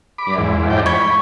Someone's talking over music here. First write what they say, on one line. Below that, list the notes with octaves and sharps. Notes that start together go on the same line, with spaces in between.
Yeah. I
B5 D6
E2 G#2
F2 G5 D6
B5 C#6 G#6